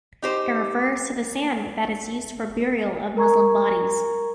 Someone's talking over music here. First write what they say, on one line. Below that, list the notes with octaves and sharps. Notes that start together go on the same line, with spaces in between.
It refers to the sand that is used for burial of Muslim bodies.
D#4 G4 C5
A#4 A#5 C#6 G#6